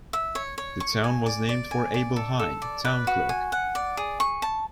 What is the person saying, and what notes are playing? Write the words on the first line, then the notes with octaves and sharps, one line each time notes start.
The town was named for Abel Hine, town clerk.
E5
C#5
C#5
C#6
G#5
D5
D5
G#5
D5
A4
A4
D5
B4
F#4
G#5
F#5
D5
G#4
C#6
A5